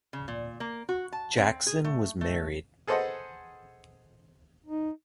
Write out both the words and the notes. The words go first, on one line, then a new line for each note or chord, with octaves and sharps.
Jackson was married.
C#3
A#2
A#3
F#4
A5
C4
G#4
A3
A3
G#4 A4 B4 C5 D#5 F#5
D#4